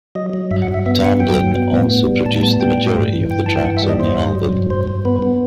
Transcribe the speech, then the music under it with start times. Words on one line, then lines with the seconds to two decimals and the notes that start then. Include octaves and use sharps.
Tamblyn also produced the majority of the tracks on the album.
0.15 F#3 D#5
0.33 F#3
0.51 G2 E5
0.62 F#5
0.68 G2
0.74 E5
0.86 B3 E5
1.03 G2 F#5
1.20 F#3 G5
1.38 G2
1.55 B3
1.73 A2
1.91 B3
2.08 G3
2.25 A2 A5
2.43 B3 A5
2.60 G3 G5
2.78 A2
2.96 G2
3.13 E3
3.30 G2 G5
3.46 E3 A5
3.56 G5
3.65 G2 F#5
3.77 E5
3.83 G3
3.89 D#5
4.00 G2 C5
4.18 G2
4.35 F#3
4.53 G2
4.70 G2 C5
4.88 G2
5.05 B3 B4
5.22 B3